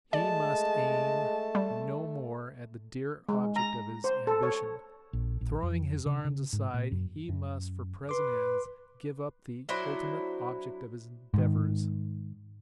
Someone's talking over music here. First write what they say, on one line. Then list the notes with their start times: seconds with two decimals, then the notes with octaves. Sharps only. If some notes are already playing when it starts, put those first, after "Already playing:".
He must aim no more at the dear object of his ambition; throwing his arms aside, he must for present ends give up the ultimate object of his endeavours.
0.13 G#3 A3 D5 A5
1.55 G3
3.29 G#3
3.56 A#5
4.04 C5
4.27 A4
4.43 C#5
5.13 A#1
5.41 A#1
5.63 F2
6.06 C#3
6.25 C#3
6.53 G#2
6.74 A#2
6.92 F#2
7.29 F#2
8.09 B4 C6 D6
9.69 F#3 D4 E4 C5
11.34 G#2 D#3